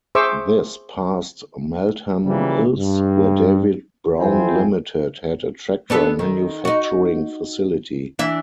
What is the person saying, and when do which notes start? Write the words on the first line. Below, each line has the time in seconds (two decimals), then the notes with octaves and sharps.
This passed Meltham Mills, where David Brown Limited had a tractor manufacturing facility.
0.15 G#4 C5 E5 C#6 D6 E6
2.24 C#3 E3 F3 G3 A#3
2.77 G2
4.18 F2 C4 E4 F4 C5 G#5
5.90 B3 D4 A4
6.19 D#3
6.65 D#4 F#4
8.19 E3 D4 E5